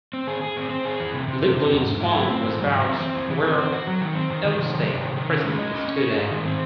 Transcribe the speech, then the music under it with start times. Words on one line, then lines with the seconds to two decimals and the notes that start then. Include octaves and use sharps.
Lieblin's farm was about where Elmsdale Crescent is today.
0.13 C4
0.27 G#4
0.42 G#4
0.57 C4
0.70 C4
0.85 G#4
1.00 E3
1.14 C3
1.28 C3
1.42 C3
1.57 C3
1.71 E2
1.85 G#2
2.00 E4
2.14 F#3
2.29 C4
2.43 G#2
2.58 F#3
2.71 E3
2.86 C4
3.00 C4
3.15 E3
3.30 E3
3.43 C4
3.58 C4
3.72 F#4
3.87 F#3
4.01 D#3
4.15 C4
4.30 D#3
4.45 D#3
4.59 C3
4.73 F#3
4.88 C3
5.02 D#3
5.16 D#3
5.31 C#4
5.45 G#3
5.59 D#5
5.74 C#4
5.88 C#4
6.03 G#4
6.17 G#2
6.31 D#3
6.45 C4